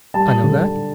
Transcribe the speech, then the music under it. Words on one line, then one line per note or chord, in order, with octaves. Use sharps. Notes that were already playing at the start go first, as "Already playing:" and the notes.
"I know that."
G3 A5
D3